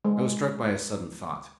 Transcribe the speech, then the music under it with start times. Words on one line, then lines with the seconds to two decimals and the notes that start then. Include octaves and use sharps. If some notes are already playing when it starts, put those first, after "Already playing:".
I was struck by a sudden thought.
0.05 G#3